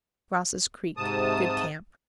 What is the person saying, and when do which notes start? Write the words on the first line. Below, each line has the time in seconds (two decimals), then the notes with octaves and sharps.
Ross's Creek.--Good camp.
0.97 G#2 C3 A5 D#6